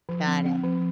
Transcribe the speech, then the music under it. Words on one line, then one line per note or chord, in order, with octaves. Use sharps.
Got it.
F3
C4
C4
F3